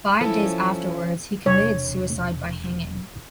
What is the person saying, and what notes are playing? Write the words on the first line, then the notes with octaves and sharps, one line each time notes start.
Five days afterwards he committed suicide by hanging.
F3 C#4 E4 A4
E1 C3 D4 C#5